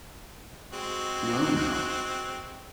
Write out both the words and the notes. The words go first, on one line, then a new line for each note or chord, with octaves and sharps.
Well Now.
G#3 C4 F#4